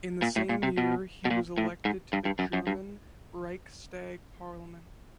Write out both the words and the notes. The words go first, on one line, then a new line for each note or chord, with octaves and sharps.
In the same year, he was elected to the German Reichstag parliament.
A#2
A2
A#2
C3
B2
B2
A#2
A2
G#2
G2
G2
F#2
F#2
G2